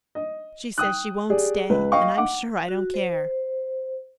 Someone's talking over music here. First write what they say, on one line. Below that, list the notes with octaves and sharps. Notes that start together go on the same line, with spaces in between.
She says she won't stay and I'm sure I don't care.
D#5
G5 D#6 F#6
G4 G#4 D5
C#2 B4
D#5 F5 G5 C#6
F#5 D6
F#4
C5